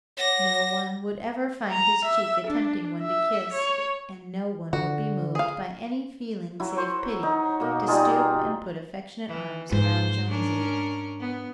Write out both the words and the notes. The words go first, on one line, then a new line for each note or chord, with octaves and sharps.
No one would ever find his cheek a tempting one to kiss, and no one would be moved, by any feeling save pity, to stoop and put affectionate arms around Jonesy.
C#5 F#5 D6 A#6
A#5
E5
D4
E5
C#5
D3 F#4
G#4 F5
F#3 E4
C5 C#5
D#4
B2 A#3
G3 D#4 F4 G#4
E3
G#2 C5
C#4 D4 A#4
B3